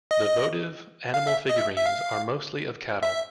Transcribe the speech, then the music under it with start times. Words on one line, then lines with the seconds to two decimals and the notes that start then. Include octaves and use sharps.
The votive animal figurines are mostly of cattle.
0.11 D#5
1.14 F5
1.27 E5
1.49 D#5
1.57 E5
1.77 E5
1.86 F5
3.03 E5